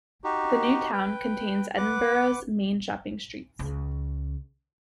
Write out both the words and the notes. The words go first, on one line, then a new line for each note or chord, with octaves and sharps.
The New Town contains Edinburgh's main shopping streets.
D#4 F#4 G4
B4 G5
B4 F#5 D6
C#2 C#3